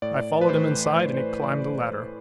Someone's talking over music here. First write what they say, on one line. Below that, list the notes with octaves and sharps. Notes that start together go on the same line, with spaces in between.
I followed him inside and he climbed the ladder.
A2 D5
B4
E3 A3 C5
A2 B4
C5
B4
E3 A3 D5